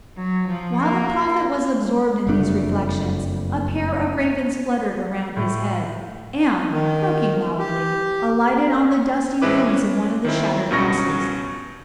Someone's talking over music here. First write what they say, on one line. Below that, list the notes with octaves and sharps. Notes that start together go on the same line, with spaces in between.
While the prophet was absorbed in these reflections a pair of ravens fluttered around his head and, croaking loudly, alighted on the dusty ruins of one of the shattered houses.
F#3
F3
A#3
F#1 F2 A3 D4
A2
D#3
G4
A1 G#3 C4 E4 B4 D6
C#4
D#3 C4 E4
C#2 G2 B2 C#4 C#6 A#6